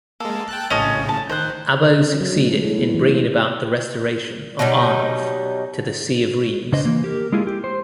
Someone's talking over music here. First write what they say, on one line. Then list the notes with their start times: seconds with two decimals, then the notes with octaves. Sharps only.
Abbo succeeded in bringing about the restoration of Arnulf to the see of Reims.
0.20 G#3 A#3 A4
0.49 G5 A5 F#6
0.70 A#1 A2 C#3 C#4 D#5 A5
1.09 A5
1.29 D#3 C5 F#6
2.07 C#4
2.21 F#3
2.36 A3
2.52 G#3
2.64 E4
2.78 B3
2.94 E3
3.09 A#3
4.59 B2 F#3 G3 D#4
6.72 C#3 D4 B4 C5 D#5
6.85 E3 A#3
7.04 G4 A#4
7.32 G#3 A#3 E4 F4 G#4
7.47 G4
7.64 C5